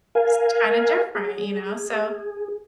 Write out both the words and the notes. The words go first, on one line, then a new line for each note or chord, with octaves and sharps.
it's kind of different, you know, so
A#4 F5 G#5
G#4